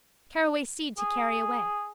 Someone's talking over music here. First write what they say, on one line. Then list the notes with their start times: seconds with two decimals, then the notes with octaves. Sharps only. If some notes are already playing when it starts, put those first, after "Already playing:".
Caraway seed to carry away.
0.98 G#4